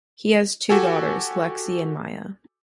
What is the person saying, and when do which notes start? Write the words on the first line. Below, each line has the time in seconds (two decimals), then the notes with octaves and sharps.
He has two daughters, Lexi and Maya.
0.69 F#4 G4 A4 G#5